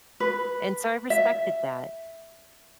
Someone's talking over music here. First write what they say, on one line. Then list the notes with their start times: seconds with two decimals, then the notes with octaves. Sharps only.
and so I respected that,
0.20 B4
1.10 E5